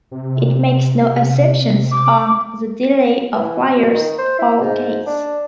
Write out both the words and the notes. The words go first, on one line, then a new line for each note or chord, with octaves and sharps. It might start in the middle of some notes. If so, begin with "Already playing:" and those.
It makes no assumptions on the delay of wires or gates.
C3
D6
E3
B2
D#3
C5
E4
G#2
D4